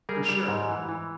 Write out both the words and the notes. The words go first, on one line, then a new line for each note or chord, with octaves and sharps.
For sure.
G3 G#4 A#4
G3
G#2
E3
E3